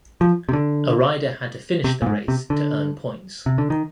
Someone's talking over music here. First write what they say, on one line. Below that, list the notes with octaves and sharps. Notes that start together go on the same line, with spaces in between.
A rider had to finish the race to earn points.
F3
C3
D3
C3
A#2
G#2
C3
D3
C3
D3
D#3